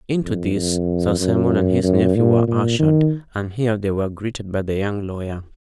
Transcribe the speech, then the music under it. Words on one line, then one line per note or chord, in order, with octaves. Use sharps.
Into this Sir Simon and his nephew were ushered, and here they were greeted by the young lawyer.
F2
F2
F#2
F#2
A#2
A#2
D#3